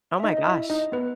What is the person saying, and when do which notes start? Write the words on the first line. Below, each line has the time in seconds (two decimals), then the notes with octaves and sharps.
Oh, my gosh.
0.20 E5
0.23 D#4 D#5
0.37 D#5
0.47 E4 E5
0.70 D#4 D#5
0.92 B3 B4